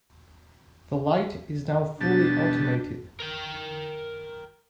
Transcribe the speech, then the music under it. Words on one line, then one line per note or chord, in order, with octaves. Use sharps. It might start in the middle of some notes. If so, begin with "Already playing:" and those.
The light is now fully automated.
B2 G3 D4 A5 A6
A#4 G5